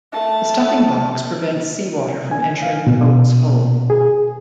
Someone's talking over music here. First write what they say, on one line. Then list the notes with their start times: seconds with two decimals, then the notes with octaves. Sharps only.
The stuffing box prevents sea water from entering the boat's hull.
0.12 A3 A5
2.31 G#5
2.62 F5
2.87 B2
3.90 G#4